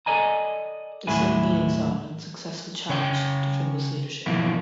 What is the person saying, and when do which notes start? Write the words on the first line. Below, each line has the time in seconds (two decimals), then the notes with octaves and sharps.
The same meeting saw an unsuccessful challenge to Trimble's leadership.
0.06 A4 A#4 D5 D#5 G#5 A#5
1.07 D#2 A2 F#3 G#3 E4 G#5
2.89 C#3 C#5 G5
4.26 B2 E3 F3 A#3 E4